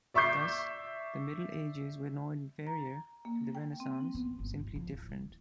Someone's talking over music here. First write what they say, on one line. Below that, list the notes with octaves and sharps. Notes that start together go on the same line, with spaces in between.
Thus, the Middle Ages were not inferior to the Renaissance, simply different.
D5 E5 C#6 D6 G6 C7
A#5
A#3
G5
C4
B3
G1
D1
F3
D1
E3